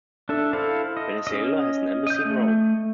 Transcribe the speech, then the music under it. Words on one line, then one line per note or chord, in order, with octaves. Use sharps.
Venezuela has an embassy in Rome.
D4 A4 E5
E4 A4 C5 F5
D#5
C#4 D#5
D#5 G6
A3